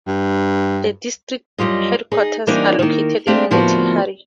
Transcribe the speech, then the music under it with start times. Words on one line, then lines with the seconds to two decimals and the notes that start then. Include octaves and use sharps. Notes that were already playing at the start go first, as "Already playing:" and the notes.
The district headquarters are located at Motihari.
0.07 G2
1.58 F#2 F#3 G3 F4 D#5
2.12 D#4 G#4
2.47 E3 G3 A#3 C4 D4 D#4
2.79 D#3 A#3
3.27 A3 C4 D4 G4 D5 F5
3.51 D2 A2 F3 A#3 B3 F#4